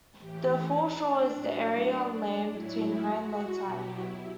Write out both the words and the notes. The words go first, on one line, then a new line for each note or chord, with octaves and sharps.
The foreshore is the area on land between high and low tide.
A2 E3 G4
C#4
D4
A2 F#3 D4
A2 F#3 E4
F#4
B2 F#3 G4
E4